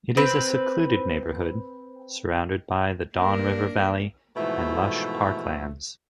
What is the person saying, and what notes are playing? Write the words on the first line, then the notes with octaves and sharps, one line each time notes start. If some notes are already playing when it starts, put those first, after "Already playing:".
It is a secluded neighbourhood, surrounded by the Don River Valley and lush parklands.
C4 B4
A#3 D4 A#4
G#2 B2 E3 F3 A3